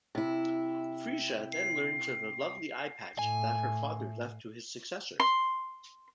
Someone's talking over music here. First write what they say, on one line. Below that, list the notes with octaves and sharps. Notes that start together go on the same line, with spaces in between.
Freesia then learns of the Lovely Eyepatch that her father left to his successor.
C3 E4
A2 G#5
C6